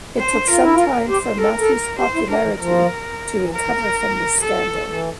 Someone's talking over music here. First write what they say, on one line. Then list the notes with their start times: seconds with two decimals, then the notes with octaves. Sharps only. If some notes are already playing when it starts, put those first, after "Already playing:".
It took some time for Matthews' popularity to recover from this scandal.
0.18 C4 C5
0.32 D4
0.48 F4 A#4
0.61 E4
0.74 F4
1.08 G4 C5
1.38 A4 A#4
1.60 A4
1.99 G4 C5
2.14 E4
2.30 D4 A#4
2.44 E3
2.59 F3 A#4
3.43 E3
3.51 F3 A#4
3.65 E3
4.41 A4
4.71 E3
4.87 E3